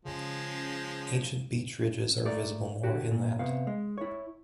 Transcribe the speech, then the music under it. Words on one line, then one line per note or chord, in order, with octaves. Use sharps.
Ancient beach ridges are visible more inland.
C#3 F3 G#3
A3 A#4 D5
D3 F#4 G4
A#2
C3 B3 F5
G#3
E4 C#5